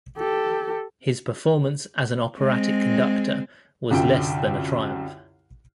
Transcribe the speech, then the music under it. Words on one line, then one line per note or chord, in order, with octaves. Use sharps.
His performance as an operatic conductor was less than a triumph.
G4 A4
G#3 C4
C2 F#2 D3 F4 G5